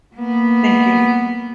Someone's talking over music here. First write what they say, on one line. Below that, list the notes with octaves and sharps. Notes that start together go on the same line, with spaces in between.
Thank you.
A#3 B3